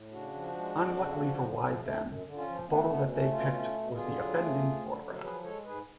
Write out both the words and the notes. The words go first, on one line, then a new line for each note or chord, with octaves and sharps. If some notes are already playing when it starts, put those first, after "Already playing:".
Unluckily for Wisden, the photo that they picked was the offending photograph.
Already playing: A2
C#3 D4 F#4
F3
G#3
F2
C#3
F3
D3
F3
A3
F#2
D3
C#4 F4
F3
A3 B3 D4
B2 B3
A3 C#4
B2 C#4 F4
A3
B2
D3 F4 G#4
F#3
A3
D2
D3
F#3
F3 G#4 B4
G#3 A4 C#5
G#2 G#4 B4